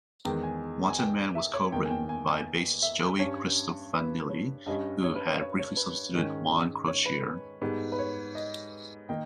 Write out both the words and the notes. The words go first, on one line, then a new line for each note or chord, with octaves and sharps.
"Wanted Man" was co-written by bassist Joey Cristofanilli, who had briefly substituted Juan Croucier.
E2 D#3 G#3 G5
G#5
G#5
G5
E5
C#5
E2 D#3 A#3 G5
G#5
G5
G#5
G#5
E5
G2 G3 C#4 C#5
B4
C#5
G2 G3 C#4 D#5
C#5
B4
C#5
C#5
C#5
B4
G#2 D#3 G#3 C#4
C#5
B4
G#2 G3 B3
B4
C#5
D#5
D#3 A#3 D#4 G5